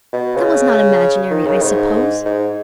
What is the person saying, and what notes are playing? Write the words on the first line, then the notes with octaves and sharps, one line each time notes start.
"That was not imaginary, I suppose!"
B2
C#3
D#3
C#3
G#2
G#2